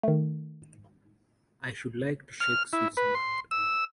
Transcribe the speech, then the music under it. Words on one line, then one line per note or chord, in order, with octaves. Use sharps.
I should like to shake Switzerland.
D#3 A3
F6
E4
B4
C6
E6